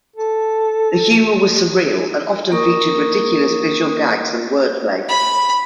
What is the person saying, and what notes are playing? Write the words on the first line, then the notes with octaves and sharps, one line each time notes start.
The humour was surreal and often featured ridiculous visual gags and wordplay.
A4
A#3 A#4 C#6 D#6
B5